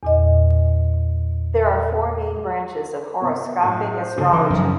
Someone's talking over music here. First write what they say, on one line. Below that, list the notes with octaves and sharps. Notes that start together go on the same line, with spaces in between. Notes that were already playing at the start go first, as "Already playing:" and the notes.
There are four main branches of horoscopic astrology.
E2 A#2 D#5
C3 B3
F#2 A2
C5
C#3 D#4 A4
E3
F#2 F3